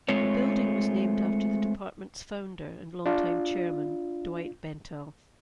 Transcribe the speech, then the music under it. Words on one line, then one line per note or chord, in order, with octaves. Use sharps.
The building was named after the department's founder and long time chairman, Dwight Bentel.
G#3 A3 C4 F4 C#5
D4 F4